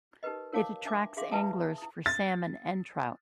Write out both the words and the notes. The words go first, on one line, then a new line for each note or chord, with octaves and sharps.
It attracts anglers for salmon and trout.
D#4 G4 A#4 B4 D#5
A#4 C#5 F5 A5 D6
D4 E5 G#5 D6
D4 G#4 E5 F5 C6 D6
E4 B4 E5 G#5 A5 D#6
E4 D#6
A6